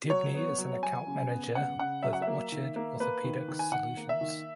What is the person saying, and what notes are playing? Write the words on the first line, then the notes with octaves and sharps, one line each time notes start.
Debney is an Account Manager with Orchid Orthopedic Solutions.
F#3 C#5
B3
F#3
F#3 G#5
C#3
B3
C#3 F#5
C#3 F#5
F#3 E5
F#5
E5
A#3
D#3
A#3
A#3 B4
D#3
D#3
G#5
D#3 F#5
A#3
E5
D#3